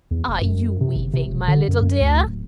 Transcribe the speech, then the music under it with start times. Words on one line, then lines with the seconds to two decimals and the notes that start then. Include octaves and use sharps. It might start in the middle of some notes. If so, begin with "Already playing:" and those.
'Are you weaving, my little dear?'
0.11 E2
0.28 F1
0.41 F#2
0.81 C3
0.96 G1
1.13 C3
1.26 E1
1.48 D3
1.68 F#2
1.82 F#2
2.01 D2
2.25 D1